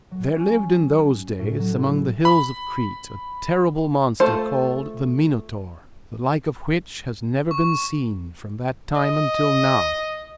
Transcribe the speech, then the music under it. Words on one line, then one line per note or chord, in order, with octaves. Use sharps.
There lived in those days among the hills of Crete a terrible monster called the Minotaur, the like of which has never been seen from that time until now.
F#3
C#4
A2
F#3
E4
B5
A3 F4 C5 A5
C#6
D#5